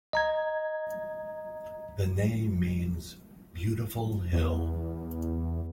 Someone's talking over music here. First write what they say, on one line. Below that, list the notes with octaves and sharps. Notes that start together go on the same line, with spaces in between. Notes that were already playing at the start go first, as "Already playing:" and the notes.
The name means "beautiful hill".
D#5 A#5 G#6
E2